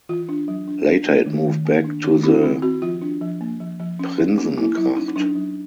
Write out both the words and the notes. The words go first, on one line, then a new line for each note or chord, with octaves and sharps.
Later it moved back to the Prinsengracht.
E3 F4
D4
F#3
D4
D4
A3
D#3
D#3
A#3
D4
D#3 D#4
C4 E4
C4
C4 F#4
F3 F4
D4
F3
A#3
F3
F3
C#4
C#4
A#3 D#4
A#3 E4
F#3 E4
C#4 D#4
D#4
F#3 D4
F#3